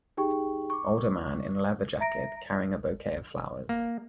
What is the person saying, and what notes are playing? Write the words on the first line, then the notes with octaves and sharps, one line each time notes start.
Older man in a leather jacket carrying a bouquet of flowers.
D#4 G4 G#4 G5 C#6
C#6 D6
E5 A#5 A#6 D7
A#3